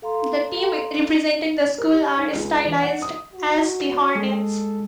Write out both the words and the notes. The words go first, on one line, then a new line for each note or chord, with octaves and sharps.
The team representing the school are stylized as the Hornets.
A4 F5 A#5 C6
A#4
G4
D#4
C#2
E3
F#5
D#6
F#4
G#3 A4